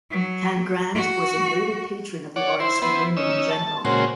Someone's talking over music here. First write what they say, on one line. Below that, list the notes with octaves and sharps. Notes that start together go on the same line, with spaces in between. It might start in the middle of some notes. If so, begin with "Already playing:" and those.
Cangrande was a noted patron of the arts and learning in general.
F#3
F#4
C#5 D5 F#5
E4 C5
B3 E4 C5
C#4 D#4 E6
A5
A#2 C#3 G#3 C4 F#4